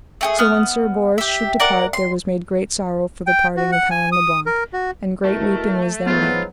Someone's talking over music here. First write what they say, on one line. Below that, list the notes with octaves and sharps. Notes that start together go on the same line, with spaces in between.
So when Sir Bors should depart there was made great sorrow for the departing of Helin le Blank, and great weeping was there made.
A3 G4 G#4
B3 D#6 F6
G4 E5
A#4 D5 F#5
C6
G5
F#4
F#5
G#5
D#6
A#4
F#4
B2 A3 E4 A#4
G#2 F3 F#3 B3 F4